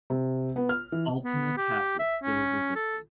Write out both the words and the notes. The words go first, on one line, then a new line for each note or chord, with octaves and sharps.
Altena Castle still resisted.
C3
B3
F6
E3
B3
G4
E5
C#4
A4